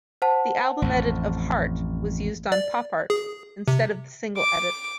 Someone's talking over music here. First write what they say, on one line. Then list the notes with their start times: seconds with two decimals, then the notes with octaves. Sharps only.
The album edit of "Heart" was used on "PopArt" instead of the single edit.
0.22 C5 F#5 A5
0.82 A1 F2
2.52 D5
3.10 G#4
3.68 C3
4.38 D6